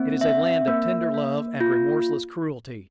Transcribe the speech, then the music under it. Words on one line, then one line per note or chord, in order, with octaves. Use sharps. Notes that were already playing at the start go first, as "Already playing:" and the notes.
It is a land of tender love and remorseless cruelty.
Already playing: A#3 C4
E5
A#3
A#3
F4